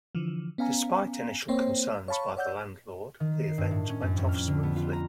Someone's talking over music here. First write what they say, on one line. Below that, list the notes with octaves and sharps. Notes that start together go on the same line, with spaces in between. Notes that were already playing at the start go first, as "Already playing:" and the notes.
Despite initial concerns by the landlord, the event went off smoothly.
D3 E3 F3
B3 C#4 F5 G#5 A#5
A#3 C4 C5 C#5 G5
C#5 F5 A5 B5 C#6
C#5 D5 F#5 E6 G6
D#3
C7
G2
A2
C#4
F#2
F2
F6
D3
B3
F4
A#5